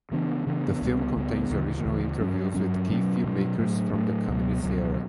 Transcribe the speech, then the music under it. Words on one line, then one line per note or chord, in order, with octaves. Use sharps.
The film contains original interviews with key filmmakers from the communist era.
C#3 E3 B3 D4
C#3 E3 B3 D4
C#2 C#3 G3 B3
C#2 C#3 G3 B3
D2 C#3 E3
D2 C#3 E3
G2 F#3 C#4
G2 F#3 C#4
B2 F#3 C#4
B2 F#3 C#4
A2 F#3 A3
A2 F#3 A3
C#2 B2 F#3
C#2 B2 F#3